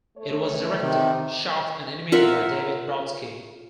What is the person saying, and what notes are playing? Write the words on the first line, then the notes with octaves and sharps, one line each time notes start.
It was directed, shot and animated by David Brodsky.
A3 C#5
C3 D#3
F4 A#4 E5 F#5